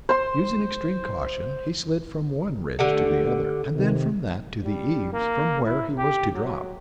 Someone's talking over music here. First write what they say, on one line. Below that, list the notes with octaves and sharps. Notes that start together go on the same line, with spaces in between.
Using extreme caution, he slid from one ridge to the other, and then from that to the eaves, from where he was to drop.
C5 C6
D3 A3 G4 A4 F#5
C3 D#3
G3
A#3
E4
G4
F#3